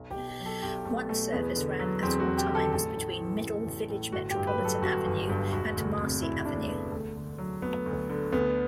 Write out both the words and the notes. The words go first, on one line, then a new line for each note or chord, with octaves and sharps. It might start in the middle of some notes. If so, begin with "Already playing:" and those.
One service ran at all times between Middle Village-Metropolitan Avenue and Marcy Avenue.
Already playing: B1
G4
B2
G4
F#3
A4
B1 G4
B1 A3
B2 A3
E2 B3
D3
F#3
E2 C4
F#4
E2
G4
D3
A4
A1 A4
A2
E3
A1
A1
A2
G1 F#4
G4
G2
B4
F#3
A4
G1 F#4
G1
G2
E1 F#4
D2
C3
E1 E4
E1 D4
D2 B3
D2 A3
D3
F#3
D2 B3
D2
D3
D2 B3